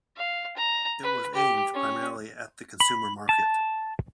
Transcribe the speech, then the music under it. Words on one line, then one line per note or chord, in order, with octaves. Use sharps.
It was aimed primarily at the consumer market.
F5
A#5
B4
G4
C#4
B5
A5